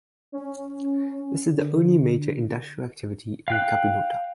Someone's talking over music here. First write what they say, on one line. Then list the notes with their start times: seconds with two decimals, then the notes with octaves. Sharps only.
This is the only major industrial activity in Capinota.
0.32 C#4
1.53 D3
3.48 F5 G5 F#6